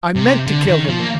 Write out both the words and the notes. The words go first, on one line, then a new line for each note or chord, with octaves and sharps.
I meant to kill him.
C3
D3
D#3
F3
A#3